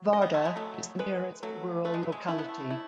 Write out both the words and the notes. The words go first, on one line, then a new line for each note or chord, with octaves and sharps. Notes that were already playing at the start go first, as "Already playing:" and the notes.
Varda is the nearest rural locality.
Already playing: F#3
D#5
B3
A3
G#3
F#3 A3
G#3 B4
F#3 A3
A3 B4
G#3
F#3
G#3
A3 E4
B3
A3
E4